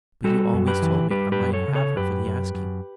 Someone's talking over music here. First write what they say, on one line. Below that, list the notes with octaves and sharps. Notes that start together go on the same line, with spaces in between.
"But you always told me I might have her for the asking."
G3 F#4 A4
F#2
G4 B4
E3
G3 G4 B4
G4 B4
F#2
A4 C#5
C#3
A4 C#5
F#2 G4 B4
F#2
F#2